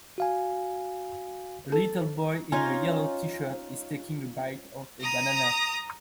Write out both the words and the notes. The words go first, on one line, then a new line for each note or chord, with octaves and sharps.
A little boy in a yellow teeshirt is taking a bite of a banana.
F#4 F5 G#5
A4
C#4 D#4 F4 G#5
A#5 D#6